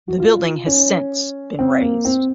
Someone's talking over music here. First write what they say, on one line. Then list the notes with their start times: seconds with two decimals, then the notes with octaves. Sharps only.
The building has since been razed.
0.08 F#4
0.20 F4
0.67 C#4
1.59 C4
1.81 A#3
2.05 C4